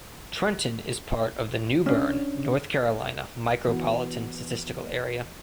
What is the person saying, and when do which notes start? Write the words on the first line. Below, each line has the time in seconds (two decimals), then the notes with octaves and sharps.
Trenton is part of the New Bern, North Carolina Micropolitan Statistical Area.
1.86 C#4 D4
3.68 E3 B3 F#4